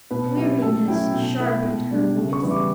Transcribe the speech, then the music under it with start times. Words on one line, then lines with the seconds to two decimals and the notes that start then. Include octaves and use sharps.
Weariness sharpened her voice.
0.11 B2 B4
0.36 F#3 C#4 E4 G4
0.62 A2 A4
0.88 F#3 C#4 E4 G5
1.14 B2
1.39 A3 E4
1.65 B2
1.91 G3 D4
2.16 C#3
2.33 C#6
2.42 E3 G3 B3
2.51 D6